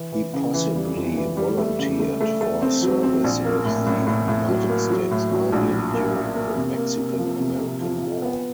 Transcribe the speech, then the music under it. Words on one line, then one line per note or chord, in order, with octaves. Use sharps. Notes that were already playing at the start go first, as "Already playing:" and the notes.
He possibly volunteered for service with the United States Army during the Mexican-American War.
Already playing: E3
E3
C#3
E3
G3
F2
E3
G3
A3
C#3
A3
A3
A3
C4
F#3
C4
A#1
A#3
A2
A2
A2
A2
F#3
A#3
F#3
A2
F#3
A#1
F#3
A#3
A#3
A#3
C3
A#3
C3
F3
C3
C3
F3
F3
B3